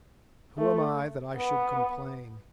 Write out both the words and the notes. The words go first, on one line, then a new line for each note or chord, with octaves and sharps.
Who am I that I should complain?
A3
B3